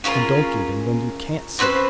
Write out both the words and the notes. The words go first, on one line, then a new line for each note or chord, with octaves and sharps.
And don't give in when you can't! see!
C#4 F4 G#4 A#4
C4 C#4 B4 C5